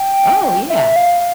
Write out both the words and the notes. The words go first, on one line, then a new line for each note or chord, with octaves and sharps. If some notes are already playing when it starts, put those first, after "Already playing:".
Oh, yeah.
Already playing: G5
E5
F5